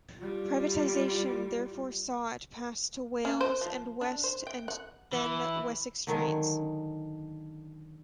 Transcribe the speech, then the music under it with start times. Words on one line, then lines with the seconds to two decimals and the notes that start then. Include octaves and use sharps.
Privatisation therefore saw it pass to Wales and West and then Wessex Trains.
0.18 G3 F4
3.25 C#4
3.41 C5
3.61 F3
4.01 D4
4.24 C5
4.47 G5
4.68 F#5
5.13 E3
6.07 D3 D#3 F#3 G#3